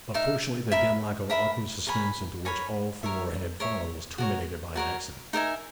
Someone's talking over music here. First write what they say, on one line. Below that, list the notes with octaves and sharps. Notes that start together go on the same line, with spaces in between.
But fortunately the deadlock of awkward suspense into which all four had fallen was terminated by an accident.
D#4 A#4 E5
A#4 E5 B5
A#4 E5 B5
A#4 C#5 G#5 B5
A#4 C#5 G#5 B5
A#4 C#5 E5
A#4 C#5 E5
F#4 A#4 C#5
F#4 A#4 C#5
D#4 A#4 E5 G#5